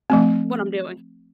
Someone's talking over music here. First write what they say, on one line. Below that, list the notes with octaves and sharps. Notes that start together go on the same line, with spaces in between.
what I'm doing.
F3 A3 C4